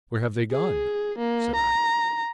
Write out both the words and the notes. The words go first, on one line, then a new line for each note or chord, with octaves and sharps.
"Where have they gone?" said I.
G#4
A#3
A#5